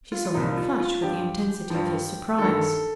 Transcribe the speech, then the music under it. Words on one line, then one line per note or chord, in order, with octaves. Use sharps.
She saw him flush with the intensity of his surprise.
F4
F4
C2 A#2 F3 D#4
F4
F4
G2 F3 G4
G2 F3
G2 D#3 A4